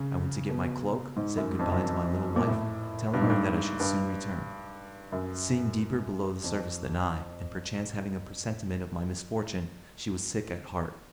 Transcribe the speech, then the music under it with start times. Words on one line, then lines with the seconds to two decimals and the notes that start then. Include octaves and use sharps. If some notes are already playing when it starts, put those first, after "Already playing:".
I went to get my cloak, said good-bye to my little wife, telling her that I should soon return. Seeing deeper below the surface than I, and perchance having a presentiment of my misfortune, she was sick at heart.
Already playing: C#3
0.49 B2
1.16 G#2
1.37 F#2
1.59 F2
1.72 F#2
1.84 F2
2.36 A#2
2.47 A2
3.14 G2
3.21 G#2
3.30 G2
3.80 G2
5.12 F#2
6.44 F2